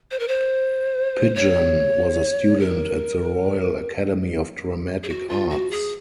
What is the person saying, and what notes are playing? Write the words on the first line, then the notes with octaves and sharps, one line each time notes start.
Pidgeon was a student at the Royal Academy of Dramatic Arts.
C5
A#4
C5
C#5
A#4
G#4
F#4
F4
F#4
G#4